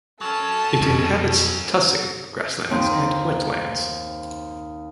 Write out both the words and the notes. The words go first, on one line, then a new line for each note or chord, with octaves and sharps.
It inhabits tussock grasslands and wetlands.
F#3 C#4 A4 A5
F2 B2
D#2 C4 D#4